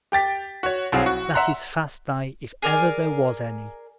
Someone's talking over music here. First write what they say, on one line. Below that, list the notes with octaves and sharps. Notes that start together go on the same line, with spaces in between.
That is fast dye if ever there was any.
G4 G5 A6 B6
F#4 C#5
C2 F#3 C4 G#4 F5
F#4
E5 F#5 A#5 C6 F#6
G#4 A#4 D5